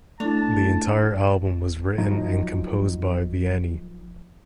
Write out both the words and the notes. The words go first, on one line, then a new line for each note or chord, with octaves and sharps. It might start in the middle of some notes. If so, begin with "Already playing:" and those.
The entire album was written and composed by Vianney.
A3 D4 E4 A5 F7
F3 F#3 D#4